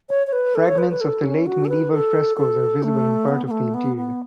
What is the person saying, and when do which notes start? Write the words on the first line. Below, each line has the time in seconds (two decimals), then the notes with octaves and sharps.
Fragments of the late medieval frescoes are visible in part of the interior.
0.09 C#5
0.27 C#5
0.33 B4
0.55 A4
0.68 C#5
0.78 B4
0.91 B4
1.01 A4
1.24 C#4
1.46 F#4
1.65 A4
1.69 B4
1.92 A4
2.37 A4
2.83 A3
3.28 B3
3.47 B3
3.51 A3
3.74 B3
3.97 B3